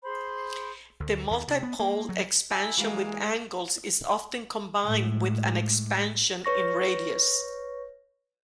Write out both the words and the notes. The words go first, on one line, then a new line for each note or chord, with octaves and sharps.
The multipole expansion with angles is often combined with an expansion in radius.
G#4 C5 B5 C6
D2
D#2
C3
B3
A#3
F#3
E4 D#5 G#5 A5
E3 G#3 A#3 F#4 F5
A2 G#3
B4 C#5 C#6 A#6